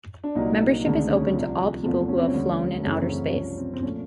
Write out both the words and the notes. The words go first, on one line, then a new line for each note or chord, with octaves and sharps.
Membership is open to all people who have flown in outer space.
D4
C2 A#2 F#3 A#3 D#4
D2 C3 D#3 G#3 D4
C#4
C2 C3 F3
E2 C3 F3 A3 C4
C#4
C4
C#4
D2 D3 G3
F#2 C#3 E3 A3 C#4
C4
C#4
C2 C3 F3 C#4
C4
C4
A#2 F3 A3 C#4